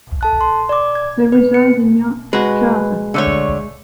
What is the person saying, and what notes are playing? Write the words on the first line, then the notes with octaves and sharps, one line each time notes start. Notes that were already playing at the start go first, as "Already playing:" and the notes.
They reside in New Jersey.
A4 A5 F#6
C6
D5 D6
G#6
B4
C#7
G#3 F#4 B4
D3 A3 C#5